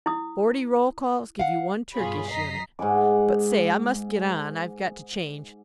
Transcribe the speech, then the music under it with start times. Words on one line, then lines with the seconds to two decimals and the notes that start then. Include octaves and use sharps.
Forty roll-calls give you one Turkish unit--but, say, I must get on, I've got to change.
0.06 E4 D#6
1.39 F5 F#5
1.94 G2 B2 F4 G#4 C#5 B5
2.28 F#2 D#5 A#5 B6 C7
2.79 G#2 F#5 G#5 D6